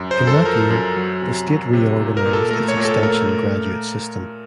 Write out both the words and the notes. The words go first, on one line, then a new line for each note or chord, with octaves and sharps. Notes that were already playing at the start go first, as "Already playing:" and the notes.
In that year, the state reorganized its extension graduate system.
Already playing: F#2
C5
F#2
A4
F3 A#4
F#2
F#3
C3
F#3
C3
A#2
A#4
A#2
A4
A3 A#4
C#5
A#2
A4
A3 A#4